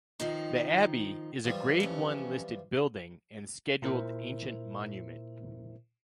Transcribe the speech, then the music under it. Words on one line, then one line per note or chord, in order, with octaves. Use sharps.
The abbey is a Grade One listed building and Scheduled Ancient Monument.
D#3 F3 D#4 C6
E3 F3 G3
F2 C#4
A#2 E4 A#4 C5 E5